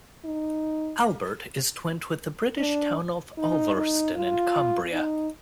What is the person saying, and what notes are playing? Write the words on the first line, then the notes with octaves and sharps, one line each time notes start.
Albert is twinned with the British town of Ulverston in Cumbria.
D#4
D4
D#4
D#4
F4
D#4